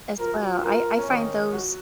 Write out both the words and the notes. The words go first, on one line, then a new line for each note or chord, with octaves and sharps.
As well, I I find those
F3 F4 A#4
F#3 F#4
F3 F4
F3 F4 A#4
C#4
D#3 D#4
F#3 F#4